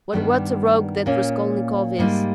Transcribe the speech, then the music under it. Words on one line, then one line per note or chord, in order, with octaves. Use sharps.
But what a rogue that Raskolnikov is!
G2 D#3 G3 B3
A#2 A#3 C#4
G#2 G3 A#3 D#4